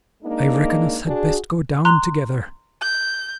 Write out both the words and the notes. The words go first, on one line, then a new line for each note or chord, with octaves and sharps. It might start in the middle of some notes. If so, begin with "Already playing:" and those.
"I reckon us had best go down together."
G#3 A#3 D4 D#4
D4 F#4 G#4
A#5 C6 F#6
G6